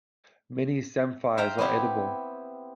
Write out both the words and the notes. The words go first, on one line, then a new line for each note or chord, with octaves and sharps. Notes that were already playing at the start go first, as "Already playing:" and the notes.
Many samphires are edible.
C5 E5 F5 G5 A#5
B3 C4 E4 G4